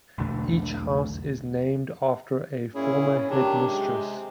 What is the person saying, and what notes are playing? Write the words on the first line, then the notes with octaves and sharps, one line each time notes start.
Each house is named after a former headmistress.
B1 E2 D3 A3
A#2 C#4 E4 G#4
D#3 F#3 D4 G4
C3 G#3